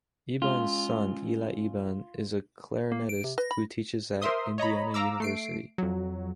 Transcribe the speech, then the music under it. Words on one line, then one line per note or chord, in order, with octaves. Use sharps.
Eban's son, Eli Eban, is a clarinetist who teaches at Indiana University.
G#3 C#4 F4
A#3
D7
C3
B4 A#6
B5
A#4 C5 E5 C6 D#6
C#5 D#5 A#5 B5
F5 A#5 D6 E6
A3 C7 D7
F2 F#3